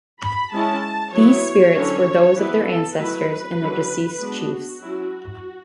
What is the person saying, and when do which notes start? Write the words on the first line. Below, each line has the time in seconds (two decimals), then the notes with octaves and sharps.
These spirits were those of their ancestors and their deceased chiefs.
0.22 B5
0.52 G#3 C#4 E4 A5
1.14 F#3 B3 E4 C#5
1.75 D3 F#3 C#4 E4
2.36 E3 B3 E4 B4
2.67 A4
2.98 F#3 A3 E4 B4
3.59 D3 F#3 C#4 E4
4.20 G#3 B3 D4 F#4
4.82 F#3 C#4 E4